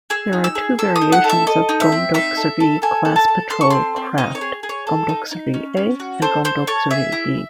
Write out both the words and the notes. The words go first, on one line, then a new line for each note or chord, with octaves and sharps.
There are two variations of "Geomdoksuri" class patrol craft: "Geomdoksuri"-A and "Geomdoksuri"-B.
G#4 E6
D#4
E6
G#4
A4 E6
D#6
D#4
F#5
A4
E5
A4 D#5
D#4
E5
C4
D#4 E5
A4
A4
A4 G#5
A4
A5
A4
A4 C6
C#6
C4 C6
C4
D#4 D#5
C#5
G#4
G#4
C#5
A4
D#4
D#4
C#4
C#4
F#4
A4 C5
A4 C5
A4 C#5
G#4 E5
E4